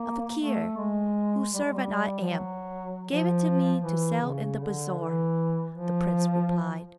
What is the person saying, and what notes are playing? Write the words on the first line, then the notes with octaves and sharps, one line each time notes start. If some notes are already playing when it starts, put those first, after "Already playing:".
"A fakir, whose servant I am, gave it to me to sell in the bazaar," the prince replied.
Already playing: A#3
A3
G#3
G3
G#3
G3
F3
F#3
F3
E3
C#3
D3
E3
F3